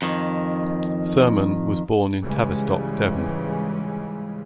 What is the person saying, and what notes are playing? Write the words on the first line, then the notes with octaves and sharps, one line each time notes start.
Surman was born in Tavistock, Devon.
F2 D#3
C#2 G#2 C#3 E3 G3 G#3